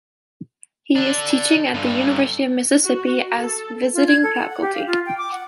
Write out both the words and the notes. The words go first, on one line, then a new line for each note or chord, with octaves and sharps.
He is teaching at the University of Mississippi as visiting faculty.
D3 D4
G2 D3
F#4
A4
F4
G#6
A4
F#5
F#5
G4
F5
F4
G5
D6
F#5